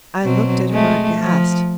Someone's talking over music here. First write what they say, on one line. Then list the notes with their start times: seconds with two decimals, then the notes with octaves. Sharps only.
I looked at her aghast.
0.23 B2 F#3 C4
0.70 G#3 A3
1.19 F3